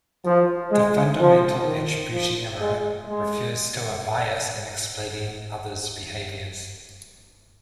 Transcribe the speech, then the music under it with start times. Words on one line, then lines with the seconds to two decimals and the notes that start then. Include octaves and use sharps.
The fundamental attribution error refers to a bias in explaining others' behaviors.
0.25 F3
0.72 G#3
1.19 F3
1.65 D#3
2.12 F3
2.60 G#3
3.06 G#3